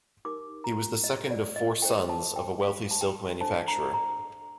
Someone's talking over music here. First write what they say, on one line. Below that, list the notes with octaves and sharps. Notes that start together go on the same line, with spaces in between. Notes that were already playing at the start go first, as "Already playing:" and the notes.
He was the second of four sons of a wealthy silk manufacturer.
D#4 G4 A#4 D6
A#5
D#5
D5
D#5
D4 A4 C5 G5
A5
G5
F5
A5
G5
D4 A4 C5 A5
A#5
A#5